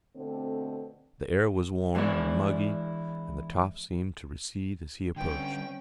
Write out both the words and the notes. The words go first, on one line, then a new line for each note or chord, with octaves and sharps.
The air was warm and muggy, and the top seemed to recede as he approached.
B2 D3 A3 C4
E3 G#3 B3 D4 E4
D3 G3 C4 C#4 B4 G5